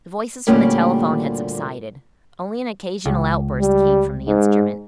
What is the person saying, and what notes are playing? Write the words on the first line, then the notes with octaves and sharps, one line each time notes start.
The voices from the telephone had subsided; only an occasional outburst came from the instrument.
D2 A#2 G3 A#3 C#4 G4
C#2
G3
G#2